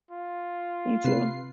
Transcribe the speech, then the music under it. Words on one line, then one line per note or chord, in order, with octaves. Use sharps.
You too.
F4
C3 B4 C7